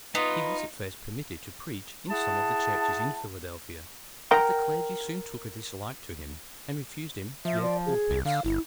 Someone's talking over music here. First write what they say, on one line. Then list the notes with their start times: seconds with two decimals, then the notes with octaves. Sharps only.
He was, at first, permitted to preach in some of the churches in Philadelphia, but the clergy soon took a dislike to him, and refused him their pulpits.
0.15 B3 D#4 F4
2.10 E4 G#4 F#5 A5
4.31 A#4 F#5 G5 A#5
7.45 F3 E5
7.62 D5
7.86 G#4
8.10 C2
8.25 D3 F5
8.45 G1 E4